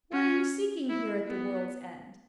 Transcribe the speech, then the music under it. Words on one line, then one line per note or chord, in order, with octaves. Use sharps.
What are you seeking here at the world's end?'
C#4
E4
B3